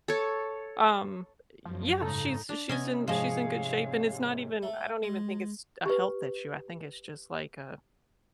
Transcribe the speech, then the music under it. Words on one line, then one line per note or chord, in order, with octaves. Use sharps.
Um, ye yeah, she's she's in she's in good shape and it's not even, I don't even think it's a health issue, I think it's just like uh,
A4 C#5
F#2 F3
G#2 C#3 D#4 A4
D4
C3 B3 C#4 D#5 G#5
G#2 F3 G#4 C#5 D#5 F5
A3
G#3
G4 B4